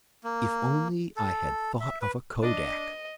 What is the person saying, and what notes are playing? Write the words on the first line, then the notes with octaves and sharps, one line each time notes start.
If only I had thought of a Kodak!
A#3
A4
E5
B4
D4 D#5